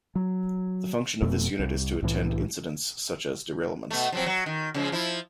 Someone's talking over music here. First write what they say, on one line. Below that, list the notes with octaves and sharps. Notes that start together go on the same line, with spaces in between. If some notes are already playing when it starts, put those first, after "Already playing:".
The function of this unit is to attend incidents, such as derailments.
F#3
F1 F2 B2 A3
C2
C2 A2 E3
B2 A3
F3 F#3 C4
F#3
D#3
C#3 F3 G#3
F3 E4